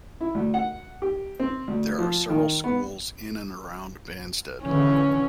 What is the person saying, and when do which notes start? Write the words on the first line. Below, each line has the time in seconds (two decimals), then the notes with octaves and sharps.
There are several schools in and around Banstead.
0.21 E4
0.35 D2
0.54 F#5
1.02 G4
1.40 C4
1.68 D2
1.98 F3
2.30 D#3
2.64 B3
4.64 D3 E3 C#4